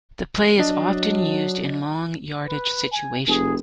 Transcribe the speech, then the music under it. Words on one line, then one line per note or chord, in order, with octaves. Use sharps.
The play is often used in long yardage situations.
F#3 D4 D#5
B4
G#5
F1 G#4